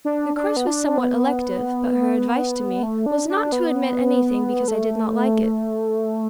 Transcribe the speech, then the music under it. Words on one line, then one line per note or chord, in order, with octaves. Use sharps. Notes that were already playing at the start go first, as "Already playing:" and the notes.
The course was somewhat elective, but her advice to me was, not to omit anything because I did not like it.
D4
D4
B3
D4
B3
A3
D4
D4
B3
A3